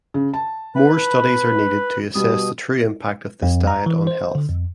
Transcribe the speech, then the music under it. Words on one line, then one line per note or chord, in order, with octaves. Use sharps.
More studies are needed to assess the true impact of this diet on health.
C#3
A5
B4 B5
B2 G3 D#6
F2
A#5
E3
C5
D3
F2